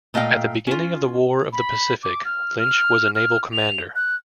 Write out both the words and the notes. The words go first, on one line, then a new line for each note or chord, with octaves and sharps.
At the beginning of the War of the Pacific, Lynch was a Naval Commander.
A#2 A3 D#5 F5 G5
C#4 F4
B5
D6
F6
F6
F6
F7
F#6